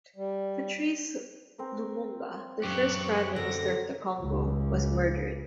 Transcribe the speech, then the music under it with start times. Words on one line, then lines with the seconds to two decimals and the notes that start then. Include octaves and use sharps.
Patrice Lumumba, the first Prime Minister of the Congo, was murdered.
0.16 G3
1.58 C4 A#4 B4
2.63 F#2 G4 C#6 F#6
3.36 D3 A#4 F#5 A#6
4.21 C#2